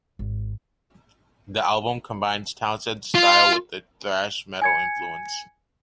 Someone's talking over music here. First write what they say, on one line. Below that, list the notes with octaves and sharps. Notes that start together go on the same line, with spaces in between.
The album combines Townsend's style with a thrash metal influence.
G#1
F4
G#5 G#6 C#7